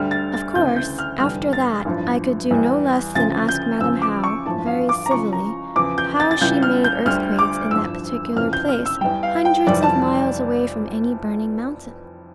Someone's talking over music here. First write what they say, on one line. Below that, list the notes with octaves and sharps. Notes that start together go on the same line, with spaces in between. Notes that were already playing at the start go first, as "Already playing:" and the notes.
Of course after that I could do no less than ask Madam How, very civilly, how she made earthquakes in that particular place, hundreds of miles away from any burning mountain?
Already playing: D2 D3 G3 F6
A6
A6
D2 C#3 E3 G6
G6
F6
F1 E2 D3 G3 F6
A6
A1 G2 F3
E2 E3 G3
D2 C#3 F3 A6
G6
E2 C#3 F3 E6
D6
C#6
A1 G2 F3 A5
F5
D6
A#5
C#2 C#3 F3 C#6
A#5
E2 C#3 F3 D6
G6
A6
A6
C#2 C#3 E3 G3 G6
F6
G6
D2 D3 G3 F6
D6
A1 G2 F3 E6
F1 F2 C#3 E3 F6
G6
F6
E6
E2 E3 G3 G5
F5
G5
F1 F2 E3 G3 D5
A5